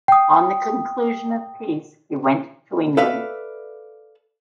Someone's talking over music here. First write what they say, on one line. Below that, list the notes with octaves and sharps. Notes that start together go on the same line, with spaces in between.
On the conclusion of peace he went to England.
G5 D#6
A4 B4 D5 E5 F5